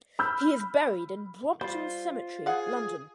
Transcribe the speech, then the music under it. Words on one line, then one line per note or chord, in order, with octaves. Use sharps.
He is buried in Brompton Cemetery, London.
B5 E6 F6 G6
G3 F4 C5
G#4 F5 F#5